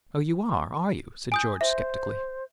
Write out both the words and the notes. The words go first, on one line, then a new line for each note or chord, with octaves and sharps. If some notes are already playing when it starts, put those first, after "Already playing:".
"Oh, you are, are you?" said George skeptically.
G#5 D#6 G6
C5 E5